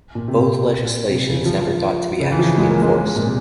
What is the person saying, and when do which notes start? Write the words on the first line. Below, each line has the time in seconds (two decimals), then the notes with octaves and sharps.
Both legislations never got to be actually enforced.
0.15 A#2
0.28 C3
0.40 A#2
1.09 C3
1.28 C#3
1.45 F3
2.20 C#3
2.32 E3
2.39 F3
2.58 G#3
2.69 A#3
2.82 G#3
3.16 A#2
3.24 C3